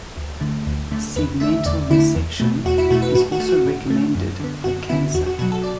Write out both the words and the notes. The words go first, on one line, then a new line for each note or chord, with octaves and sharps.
Segmental resection is also recommended for cancer.
D2
D3 A3
D2
D3 A3
E2 B4
D3 A3 E5
E2 D5
D3 A3 E4
E2
B2 A3
E2 F#4
E4
B2 A3 F#4
B4
A2 F#4
F#4
A3
F#4
A2
A3
F#2
D3 B3
F#2 F#4
D3 B3 E4
E2 F#4
F#4
B2 F#3 F#4
A4
D5